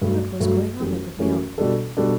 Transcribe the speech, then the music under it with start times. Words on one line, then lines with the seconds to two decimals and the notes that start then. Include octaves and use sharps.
What was going on at the mill?
0.01 G2 F#3 A3
0.40 G2 F#3 A3
0.79 F#2 E3 A3 C#4 G4
1.19 F#2 E3 A3 C#4 G4
1.58 B2 G3 D4 A4
1.97 B2 G3 D4 A4